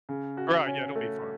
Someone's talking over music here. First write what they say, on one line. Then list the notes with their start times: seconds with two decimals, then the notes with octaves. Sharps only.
Right, yeah, it'll be fun.
0.09 C#3
0.37 F#4
0.67 C#4
0.96 A3